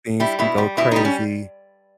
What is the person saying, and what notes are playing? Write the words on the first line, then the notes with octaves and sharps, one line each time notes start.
things can go crazy,
G3 E4
B2 E4
G3
B2 E4
G3 D#4
C#4